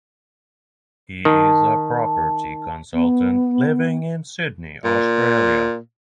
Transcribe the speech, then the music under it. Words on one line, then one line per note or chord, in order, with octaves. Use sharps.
He is a property consultant living in Sydney, Australia.
D#3 A5
B3
A#2